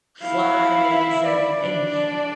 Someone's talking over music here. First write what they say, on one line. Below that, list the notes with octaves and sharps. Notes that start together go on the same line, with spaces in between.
flies and and
E4 F5
E5
D5
D4